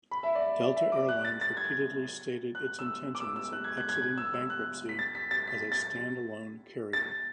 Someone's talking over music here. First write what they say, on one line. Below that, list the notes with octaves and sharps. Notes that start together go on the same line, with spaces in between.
Delta Air Lines repeatedly stated its intentions of exiting bankruptcy as a stand-alone carrier.
B5
E5
D5
D5
E5
D6
F#6
A6
A6
G#6
F#6
E6
D6
E6
E6
F#6
G#6
F#6
G#6
F#6
E6
E6
F#6
B6
A6
B6
A6
B6
A6
A6